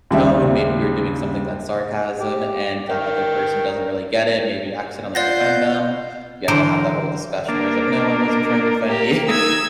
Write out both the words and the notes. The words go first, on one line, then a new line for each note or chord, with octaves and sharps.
tone. Maybe you're doing something that's sarcasm, and that other person doesn't really get it, maybe you accidentally offend them, you have to have that whole discussion where it's like, "No, I wasn't trying to offend you.”
D#2 C#3 G3 E5 G5
G4
A#4 G5
F4 C5 D5 F#5 G6 A6 A#6
D3 E3 F#3 A#4 C5
A#3 D4 A#4
A#3 G4
D#4 E6 G#6